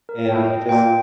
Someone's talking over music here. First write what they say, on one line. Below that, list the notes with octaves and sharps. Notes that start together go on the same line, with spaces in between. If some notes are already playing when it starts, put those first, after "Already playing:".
and he just
A#4
A2 G5
D#5
A#2 G5